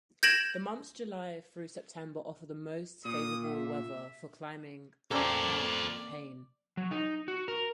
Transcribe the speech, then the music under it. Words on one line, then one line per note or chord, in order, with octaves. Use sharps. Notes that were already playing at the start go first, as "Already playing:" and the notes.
The months July through September offer the most favorable weather for climbing Mount Payne.
G6 G#6 A#6 D7 E7 F#7
A#2 D#6
E5
A#3 C4 C#4 A4 C5 D5
F#3
D#4
F#4
A#4